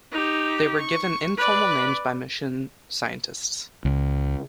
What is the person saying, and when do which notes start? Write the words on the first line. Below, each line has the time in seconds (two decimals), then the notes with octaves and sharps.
They were given informal names by mission scientists.
0.11 D#4 G4
0.79 C#6
1.37 B4 D5
3.85 C#2